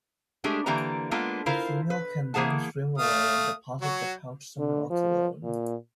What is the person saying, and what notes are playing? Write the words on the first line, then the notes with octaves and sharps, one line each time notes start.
The female can then swim away and deposit the pouch somewhere else alone.
G#3 A3 D4 G4 G#4
D3 E3 A#3 G4 D5 A#5
G#3 A#3 B3 D4 F4 A4
E4 F4 A#4 C5 F5
B4
E3 A#3 G#4 F#5 A5
A3 F5 D#6
F#3 F#4
D3
F3
A#2